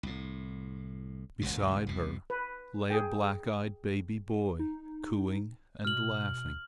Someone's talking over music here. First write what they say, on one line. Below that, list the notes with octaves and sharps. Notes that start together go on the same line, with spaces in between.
Beside her lay a black-eyed baby boy cooing and laughing.
C2 A2
D#1 G#1 C#2 B2
C2 B2
B4
G#4 G5
D#4
B2 F6 F#7